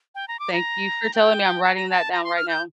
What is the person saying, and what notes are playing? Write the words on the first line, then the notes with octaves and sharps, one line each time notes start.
Thank you for telling me, I'm writing that down right now.
G5
A#5
D6
A#5
G5
A5
A#5
A5
A#5
C6
F6
G6